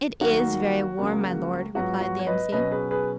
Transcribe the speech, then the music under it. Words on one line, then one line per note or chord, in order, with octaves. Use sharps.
'It IS very warm, my Lord,' replied the M.C.
D#2 D#3 F#3 A#3 F#4
C#2 C#3 F#3 A#3
G#2 F#3 B3 F4 F#4
F#4
C#5
B4 D#5
B2 F#3 C#4 B4 D#5
G#4 B4
G#4 B4